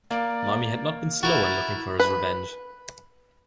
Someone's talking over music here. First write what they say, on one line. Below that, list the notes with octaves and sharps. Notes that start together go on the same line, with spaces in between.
Marmie had not been slow in looking for his revenge.
A#3 D5
E4 F#4 A#4 A6
B4